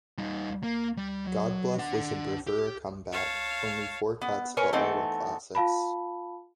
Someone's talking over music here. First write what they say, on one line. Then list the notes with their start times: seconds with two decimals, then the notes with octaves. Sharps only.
"Godbluff" was a bravura comeback - only four cuts, but all were classics.
0.18 G3 D#4
0.63 A#3
0.97 G3
1.27 F#3
1.78 D4 F#5
2.47 G4
3.12 C#5 F5 A5
4.21 B3
4.57 A#4 B4 C#5 G#5
4.73 E3 A3 B3 C4 D#4
5.55 F4 F5 A5 B5